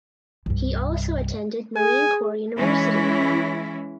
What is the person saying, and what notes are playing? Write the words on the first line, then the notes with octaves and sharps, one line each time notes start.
He also attended Marine Corps University.
C2 G2
G#4 G#5
E3 G#3 C#4 E4